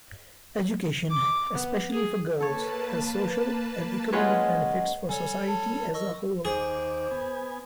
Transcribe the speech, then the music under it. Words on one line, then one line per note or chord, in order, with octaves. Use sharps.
Education, especially for girls, has social and economic benefits for society as a whole.
D6
B3
G#4
A#3 A4 B4 C#5 A5
G#3 C#4 F4 G#4 B4 C#5 D#5 F#5
G3 A4 C#5 G#5
A5
A#4 D#5 C#6 E6
D#2 G#4 C5 D6
B3 G#5